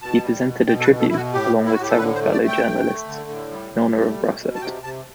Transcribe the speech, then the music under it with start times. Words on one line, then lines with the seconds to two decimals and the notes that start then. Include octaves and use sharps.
He presented a tribute, along with several fellow journalists, in honor of Russert.
0.02 B2 A5
0.23 G3
0.46 B2
0.67 B2 G5
0.79 A4
0.84 B4
0.90 B2
1.00 A4
1.10 B2 E4
1.17 F#4
1.33 A2 G4
1.55 A2
1.66 E4
1.73 F#4
1.77 A2
1.82 G4
1.90 A4
1.98 D3 B4
2.15 C5
2.21 A3
2.32 D5
2.42 A3
2.48 G5
2.65 A3
2.86 A3
3.08 D3
3.30 A2
3.52 G3
3.74 G3
3.96 A3
4.17 B2
4.40 B2
4.55 A5
4.61 C3 G5
4.83 C3 A5